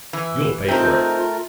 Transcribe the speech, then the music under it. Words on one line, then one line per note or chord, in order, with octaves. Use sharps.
"You'll pay for it!"
E3
A3 C4 D#4 F4 A#4